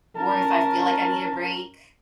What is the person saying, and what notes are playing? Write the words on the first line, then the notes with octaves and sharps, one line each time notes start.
or if I feel like I need a break,
C#4 A#4 A5